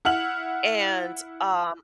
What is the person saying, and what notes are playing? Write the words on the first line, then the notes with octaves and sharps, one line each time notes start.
and, um
E4 F#5 F6 F#7